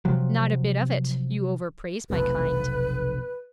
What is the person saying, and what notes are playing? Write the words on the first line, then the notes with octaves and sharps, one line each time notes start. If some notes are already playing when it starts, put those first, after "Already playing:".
'Not a bit of it; you overpraise my kind.'
C3 F3 F#3
F1 B1 F2 B4